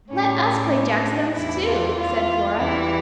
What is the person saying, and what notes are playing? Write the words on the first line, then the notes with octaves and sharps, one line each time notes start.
"Let us play jack-stones, too," said Flora.
A2 G3 C#4
C#4
C#4
D4
E2 E3 G3 E4
F4
F4
E2 E3 G3 E4